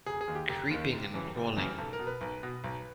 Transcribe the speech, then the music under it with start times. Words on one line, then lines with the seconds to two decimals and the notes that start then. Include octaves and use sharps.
Creeping and crawling.
0.06 F1 G#4
0.21 G#4
0.28 D#2 D#3
0.35 G4
0.49 F1 G4
0.71 D#2 D#3
0.92 F#1
1.14 F#2 C#3 E3
1.35 F#1
1.57 F#2 C#3 E3
1.78 B1 A4
1.93 A#4
1.99 B2
2.07 B4
2.21 B1
2.43 B2
2.64 B1